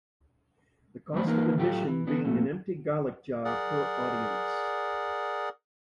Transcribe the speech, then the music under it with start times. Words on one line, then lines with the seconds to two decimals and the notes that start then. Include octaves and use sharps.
The cost of admission being an empty garlic jar per audience.
1.13 E2 G2 E3 A3 C5 B5
1.25 E3 A#3 D#4 A#4 B4
1.58 A2 F#3 A3 F4 G4
1.88 E3
2.07 E3 B3 D4
2.24 F2 A#2 A3
3.45 G#4 A#4 D5 F#5